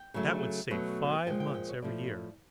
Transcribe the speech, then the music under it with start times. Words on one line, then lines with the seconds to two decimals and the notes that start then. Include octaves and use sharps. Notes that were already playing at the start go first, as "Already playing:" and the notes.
That would save five months every year.
Already playing: G5
0.14 C#3 F#3 A3
0.70 B2 F#3 A3
1.27 A#2 F3 G#3 G5
1.40 G5
1.54 G5
1.69 C#5
1.82 A2 F3 A3 D5